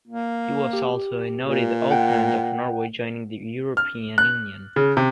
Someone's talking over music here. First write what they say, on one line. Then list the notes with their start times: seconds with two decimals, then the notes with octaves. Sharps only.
He was also a noted opponent of Norway joining the European Union.
0.08 A#3
0.73 G4
1.41 A#2
1.91 F#5 G5
3.77 F6
4.18 F#6
4.76 C#3
4.97 C3